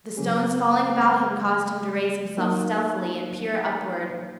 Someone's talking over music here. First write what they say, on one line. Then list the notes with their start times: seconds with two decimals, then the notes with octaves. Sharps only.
The stones falling about him caused him to raise himself stealthily and peer upward.
0.17 C#3 F#3 A#3 C#4 G#4
2.37 F#3 A#3 D#4